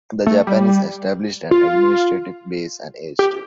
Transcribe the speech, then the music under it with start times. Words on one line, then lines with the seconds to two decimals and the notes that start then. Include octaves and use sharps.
The Japanese established an administrative base and airstrip.
0.27 A3
0.47 G3
1.51 F4
3.19 G4